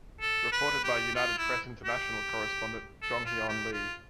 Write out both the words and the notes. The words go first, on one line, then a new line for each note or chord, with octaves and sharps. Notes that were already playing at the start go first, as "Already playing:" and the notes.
Reported by United Press International correspondent Jong-Heon Lee.
A4
B4
G4
F4
E4
G4
A4
F4
G4
F4